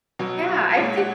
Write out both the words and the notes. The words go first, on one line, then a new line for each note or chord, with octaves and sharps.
Yeah. I've seen
B2 F#3
A#2 G#3 C#5
F#5